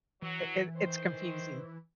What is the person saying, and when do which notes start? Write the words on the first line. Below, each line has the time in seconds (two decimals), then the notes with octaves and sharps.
it it it's confusing.
0.22 E3 F#3
0.77 D#3 C5